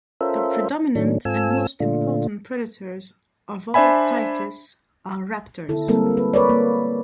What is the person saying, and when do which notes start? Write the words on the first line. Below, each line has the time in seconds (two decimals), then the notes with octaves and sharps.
The predominant and most important predators of all titis are raptors.
0.21 C#4 F4 A4 A#4 C5 E5
0.95 A2 D#3 F#3 A3 C#4 D4
1.25 G#2 C4 F4 A4 G#5 E6
1.80 A#2 D3 A3 D4 F4
3.74 D4 C5 D5 E5 G#5 B5
5.69 D3 B3 E4 A4
5.88 G3 G#3 A#3 C4 A4 A#4
6.17 B4
6.34 A#4 B4 C#5 D5
6.50 A#3